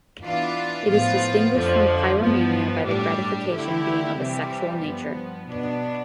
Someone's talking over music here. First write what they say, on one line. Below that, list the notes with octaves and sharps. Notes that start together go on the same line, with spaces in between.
It is distinguished from pyromania by the gratification being of a sexual nature.
E3 B3 D4 F4
A2 F3 B3 F4
F2 D3 F3
G2 F3 B3
A2 G3 D4 G4
D3 A3 E4 G4
C3 E3 G3 C4 G4
G2 F3 B3
B2 B3 D4